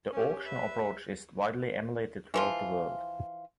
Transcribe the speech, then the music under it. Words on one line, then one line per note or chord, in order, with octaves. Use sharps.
The auction approach is widely emulated throughout the world.
C#4 G4
B4 E5
E3 F3 F4